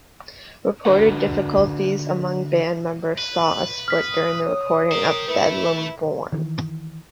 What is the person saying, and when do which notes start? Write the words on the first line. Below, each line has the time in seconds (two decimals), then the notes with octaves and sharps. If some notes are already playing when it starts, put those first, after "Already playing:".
Reported difficulties among band members saw a split during the recording of "Bedlam Born".
0.85 D3 D4 F#4 B4 F#5
3.18 B4
3.88 D#6 F6 B6
4.46 C#5
4.92 G4 A#4 C5
5.28 A3 E4 A4 B4
6.33 D#3 E3